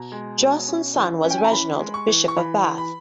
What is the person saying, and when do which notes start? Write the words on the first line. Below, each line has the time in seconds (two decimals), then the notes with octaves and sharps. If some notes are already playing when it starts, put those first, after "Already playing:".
Josceline's son was Reginald, bishop of Bath.
Already playing: B2 A#5
0.12 G#3
0.40 B2
0.68 C#4
0.96 E3
1.24 C#4
1.30 G5
1.38 G#5
1.44 A#5
1.52 E3 B5
1.80 G#3
1.94 C#6
2.08 E3
2.28 C#6
2.37 E3 B5
2.64 E3
2.78 B5